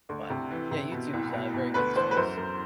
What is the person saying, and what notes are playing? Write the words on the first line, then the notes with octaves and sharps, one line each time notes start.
but yeah, YouTube's a very good source,
D2
C3
E3
C3
B2
C2
B2
B2
D2 B4
E3 C5
B4
F#2 C5
F#2